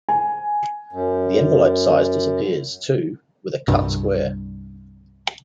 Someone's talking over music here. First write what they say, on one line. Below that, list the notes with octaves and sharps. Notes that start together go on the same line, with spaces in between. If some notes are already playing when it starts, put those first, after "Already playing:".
The envelope size disappears, too, with a cut square.
G#5
F#2
C2 G2